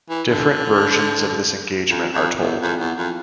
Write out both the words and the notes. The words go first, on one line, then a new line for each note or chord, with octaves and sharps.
Different versions of this engagement are told.
E3
D3
F2
F2
E2
F2
E2
F2